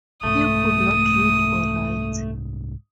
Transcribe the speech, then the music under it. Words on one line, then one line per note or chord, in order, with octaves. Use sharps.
He could not read or write.
C2 G#2 A3 D#6